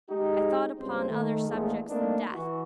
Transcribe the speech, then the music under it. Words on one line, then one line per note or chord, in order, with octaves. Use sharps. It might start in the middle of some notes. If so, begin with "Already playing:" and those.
I thought upon other subjects than Death.
G#3 D#4 G4
C#2 G2 C4 C5
D#3 A3
A#1 E2 A#2 F3 G#3 A3
A3 A#3 C4 D4 D#4 A#4
E3 F#4